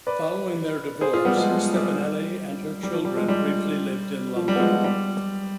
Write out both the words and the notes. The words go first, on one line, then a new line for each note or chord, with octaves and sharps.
Following their divorce, Stefanelli and her children briefly lived in London.
B4 D5
G#4 C5
F4 G#4
G3 B3
F3 G#3
F3 G#3
G3
G3
F3
G3
F3 G#3
G3
F3
G3
B3
F3 G#3
F3
G3